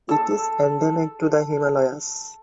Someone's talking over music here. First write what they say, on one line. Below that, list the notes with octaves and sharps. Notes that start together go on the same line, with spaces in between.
It is endemic to the Himalayas.
A4 E6